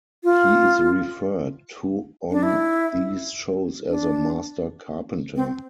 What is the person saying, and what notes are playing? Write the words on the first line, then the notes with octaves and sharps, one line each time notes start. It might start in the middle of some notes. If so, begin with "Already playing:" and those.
He is referred to on these shows as a "master carpenter".
F4
D4
E4
D4
C4